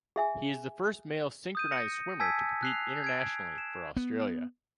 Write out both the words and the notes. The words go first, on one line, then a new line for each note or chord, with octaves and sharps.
He is the first male synchronised swimmer to compete internationally for Australia.
G#4 E5 G#5
D#6 G6 D#7
A#6 C#7
G#5 A5 E6 G#6 B6
F#6 C7 F7
G#6 D7
E7
B3